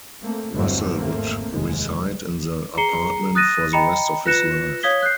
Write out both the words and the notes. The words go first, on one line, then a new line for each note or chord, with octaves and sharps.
Russell would reside in the apartment for the rest of his life.
A3 A#3 C4
G1 E2 G2 F#3 A3 C4
G#1 A3 A#3 C4
F1 D#2 G#3
G#4 A#5 C7 C#7 G7
D#6 F#6 A6 A#6 D#7
D#5 G5 A#5 B5 C#7
F4 B4 F#6 A#6 C#7 E7
C#5 F5 D#6 G#6 B6 G7
F#6 G6 C7